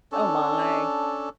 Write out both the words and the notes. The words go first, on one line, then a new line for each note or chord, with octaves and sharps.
oh my,
C#4 D4 A4